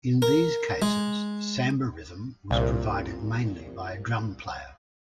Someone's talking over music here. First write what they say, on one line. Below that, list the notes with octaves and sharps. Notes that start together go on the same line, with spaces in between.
In these cases, samba rhythm was provided mainly by a drum player.
A#4
G#3
C2 A#2